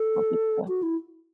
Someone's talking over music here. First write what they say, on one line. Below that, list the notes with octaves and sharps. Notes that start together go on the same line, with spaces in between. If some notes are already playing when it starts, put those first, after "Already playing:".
Don't think so.
Already playing: A4
F#4
E4